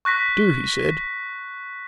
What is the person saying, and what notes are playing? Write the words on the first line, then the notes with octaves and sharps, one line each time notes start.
"Do!" he said.
C#6 F#6 A#6 B6